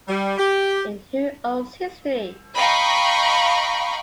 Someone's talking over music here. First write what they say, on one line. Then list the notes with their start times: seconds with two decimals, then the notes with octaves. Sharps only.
In Who Owns History?
0.08 G3
0.37 G4
2.56 D#5 F5 G5 A#5 B5 C#6